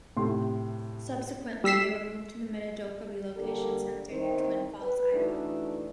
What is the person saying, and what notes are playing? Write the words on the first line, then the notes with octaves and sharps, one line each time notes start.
Subsequently, they were moved to the Minidoka relocation center near Twin Falls, Idaho.
A2 C3 C6
G3 E6 B6 C7 E7
D3 G3 A#3 D4 A4
E2 D#3 C4
B4
E3 A3 D4 D#4 F#4